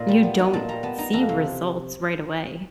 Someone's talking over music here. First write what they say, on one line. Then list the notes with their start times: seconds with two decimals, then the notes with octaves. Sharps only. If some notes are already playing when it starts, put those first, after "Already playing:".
you don't see results right away,
Already playing: A#2 D#4
0.08 G3
0.23 B3
0.39 D#4
0.53 A#2 A5
0.68 G3 A#5
0.83 B3 A5
0.98 D#4 A#5
1.13 F2 A#5
1.29 C3